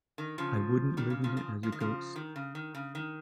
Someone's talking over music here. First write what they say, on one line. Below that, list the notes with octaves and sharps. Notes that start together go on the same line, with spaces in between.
I wouldn't live in it as a ghost.
D#3
C#3 F3
D#3 G3
C#3
C#3 F3
C#3 F3
F3
D#3
C#3 F3
D#3
C#3
D#3
C#3
D#3